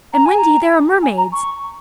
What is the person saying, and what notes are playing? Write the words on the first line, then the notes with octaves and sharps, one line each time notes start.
"And, Wendy, there are mermaids."
A#5
G#5
A#5
G#5
A#5
C#6